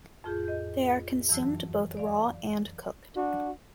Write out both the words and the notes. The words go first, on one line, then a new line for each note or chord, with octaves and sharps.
They are consumed both raw and cooked.
F2 A2 F4 G#4 G6
D#5 G6
F#2 E3 F#3 A5 E6 F#6
D5 F5
D4 F#4